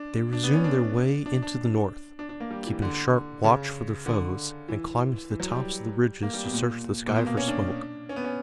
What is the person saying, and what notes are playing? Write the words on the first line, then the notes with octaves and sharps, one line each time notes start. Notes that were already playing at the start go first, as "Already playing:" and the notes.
They resumed their way into the north, keeping a sharp watch for their foes, and climbing to the tops of the ridges to search the sky for smoke.
Already playing: D4
D4
B3
C#4
D4
D4
D4
D4
D4
A#3
G3
E3
D3
C#3
D3
E3
E3
F#3
G3
A#3
G3
B2
A#2
A#2
B2
A#3
C#4
D4
C#4
B3
C#4